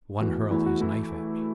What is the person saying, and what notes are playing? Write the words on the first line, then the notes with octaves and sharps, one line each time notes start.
One hurled his knife at me.
E2 E3 A3 F#4
E2 E3 A3 E4
F#4
E3 A3 E4